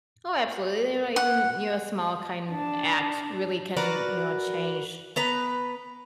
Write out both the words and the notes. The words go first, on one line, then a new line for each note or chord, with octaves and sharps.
Oh, absolutely, you know, even, you know, a small kind act really can, you know, change
F#5
D4 A5
F#4 A#4 B4 D5
B3 B4 A#5